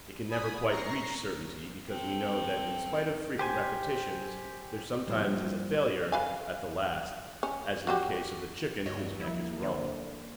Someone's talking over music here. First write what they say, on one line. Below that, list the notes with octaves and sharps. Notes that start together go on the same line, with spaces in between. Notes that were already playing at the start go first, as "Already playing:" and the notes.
It can never quite reach certainty, because we know that in spite of frequent repetitions there sometimes is a failure at the last, as in the case of the chicken whose neck is wrung.
G#5 B5 D#6
A#5 C#6 A#6 C7
C4 A4
G4 C5 G#5
G2 F3 G3 A#3 E4 C5
B4 F5 G#5
C#4
F#3 F#4 G4
G2 F#3 G3 A#3 F#4 C#5 D#5
F3 A#3 E4
D3 C5
A#3